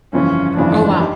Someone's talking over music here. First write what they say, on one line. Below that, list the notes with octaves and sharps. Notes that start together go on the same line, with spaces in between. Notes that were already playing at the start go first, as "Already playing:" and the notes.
Oh, wow.
G1 F2 C#3 E3 C#4
G1 F2 C#3 E3 D4
D#4 G4